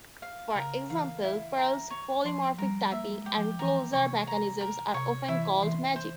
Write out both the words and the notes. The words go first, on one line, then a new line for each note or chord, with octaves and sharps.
For example, Perl's polymorphic typing and closure mechanisms are often called "magic".
F5
C#3 A#4
E3 F5
E4
A#5
C#5
F3 C6
G3 A#4
A#3 E5
G#3
G4
F3
E3 A#5
C3 C#5
A#5
A#4
C3 C#5
E3 E4
E3 C6
C5